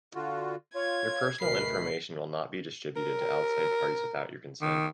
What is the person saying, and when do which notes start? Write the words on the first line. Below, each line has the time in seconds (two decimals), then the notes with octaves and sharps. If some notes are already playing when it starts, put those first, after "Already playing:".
Your personal information will not be distributed to outside parties without your consent.
0.15 D3 F4 F#4
0.75 F4 C#5 G#6
1.41 D2 B2 A#4 B5 C7
2.96 A#4
4.61 D#3